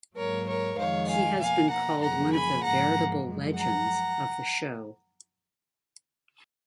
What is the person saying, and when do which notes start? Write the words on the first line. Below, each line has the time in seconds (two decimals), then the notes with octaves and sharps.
He has been called one of the "veritable legends" of the show.
0.16 G#2 F#3 A#3 A#4 C#5
0.47 A#4 C#5
0.78 F2 D#3 G#3 C#5 F5
1.10 F5 G#5
1.40 B2 A#3 F5 G#5
1.71 F#5 A#5
2.01 F#2 C#3 F3 A#3 F#5 A#5
2.32 G#5 B5
2.63 G#2 F3 A#3 F#5 A#5
3.26 F#2 F3 G#3
3.56 F#5 A#5